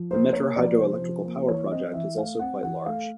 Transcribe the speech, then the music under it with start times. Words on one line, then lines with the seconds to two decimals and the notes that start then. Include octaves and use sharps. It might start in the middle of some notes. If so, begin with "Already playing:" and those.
The Mettur Hydro Electrical power project is also quite large.
Already playing: F3
0.11 A#3 C5
0.33 A#3 C#5
0.56 F3 D5
0.79 C3 C5
1.01 F3
1.25 A#3
1.48 E3 C#5
1.72 C4 D#5
1.94 E3 E5
2.17 A3 F5
2.39 C4 F#5
2.63 E3 F#5
2.86 A3 F5